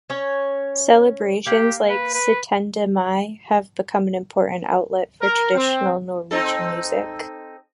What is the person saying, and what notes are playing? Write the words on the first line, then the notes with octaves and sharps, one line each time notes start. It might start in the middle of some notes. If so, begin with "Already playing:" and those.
Celebrations like Syttende Mai have become an important outlet for traditional Norwegian music.
C#4 C#5
A#3 G4
B4
B4
A#4
C4
C4 D#4 A4